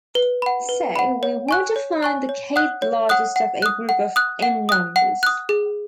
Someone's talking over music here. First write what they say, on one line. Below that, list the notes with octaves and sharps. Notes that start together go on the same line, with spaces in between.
Say we want to find the "k"th largest of a group of "n" numbers.
B4
F#5 B5
B4
F#5 B5
C#5
G#5 C#6 F#6
C#5
G#5 C#6 F#6
C#5
F#5 D#6 F#6
C#5
F#5 D#6 F#6
F#5
D#6 F#6
F#5
D#6 F#6
F#5
D#6 F#6
F#5
D#6 F#6
G#4